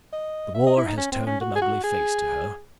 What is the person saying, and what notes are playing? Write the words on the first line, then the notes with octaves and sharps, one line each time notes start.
The war has turned an ugly face to her.
D#5
E5
D#5
E4
D#4
C#4
C4
C#4
F#4
G#4
F#4
G#4